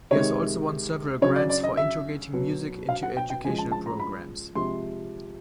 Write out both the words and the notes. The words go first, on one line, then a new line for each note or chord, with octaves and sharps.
He has also won several grants for integrating music into education programs.
C3 D#3 G#3 C#5
C#3 F#3 C#5
D5
D5
D#5
E5
B2 F#3
F5
F#5
G5
G5
C#3 F3 G#3 G#5
A5
A5
A#5
B5
C3 F3 G#3 C6